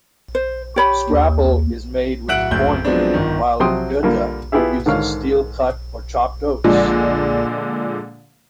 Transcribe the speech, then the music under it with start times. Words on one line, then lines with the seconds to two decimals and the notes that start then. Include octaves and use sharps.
Scrapple is made with cornmeal while goetta uses steel-cut or chopped oats.
0.35 C5
0.76 G4 C#5 B5
1.10 D#2
2.28 D1 E5 F#5 F#6 D7 F#7
2.51 F#1 D2 G6
2.85 F3 F#3 G#3 B3 C4 D4
3.14 G1 D#3
3.60 C3 F3 F#3 G5 C6 D#6
4.03 D3 G3 A#3 F4
4.52 B3 E4 F4 G4 G#4 E5
4.86 G#2 D3 D#3 C#5 F5
6.64 A#2 D3 F3 G#3 D4